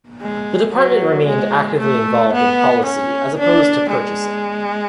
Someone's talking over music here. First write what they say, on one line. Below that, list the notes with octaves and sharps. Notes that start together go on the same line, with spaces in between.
The department remained actively involved in policy as opposed to purchasing.
G#3
F#3
G#3
A3
B3
C#4
D4
G#3